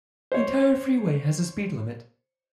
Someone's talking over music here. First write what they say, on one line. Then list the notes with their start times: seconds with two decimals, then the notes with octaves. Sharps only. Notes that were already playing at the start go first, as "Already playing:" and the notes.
The entire freeway has a speed limit.
0.32 C5 C#5